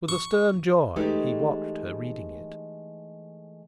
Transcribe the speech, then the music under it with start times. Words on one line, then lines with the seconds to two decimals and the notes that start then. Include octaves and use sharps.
With a stern joy he watched her reading it.
0.09 C#6
0.96 E3 G#3 A3 D#4 G4